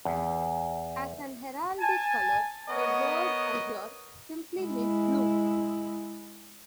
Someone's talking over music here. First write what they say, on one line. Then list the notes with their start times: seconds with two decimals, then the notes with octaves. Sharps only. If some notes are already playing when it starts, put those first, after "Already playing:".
As an heraldic colour, the word "azure" simply means "blue".
0.05 E2
1.80 G#5 A5
2.69 B3 A#4 C#5 D#5
4.59 G#3 E4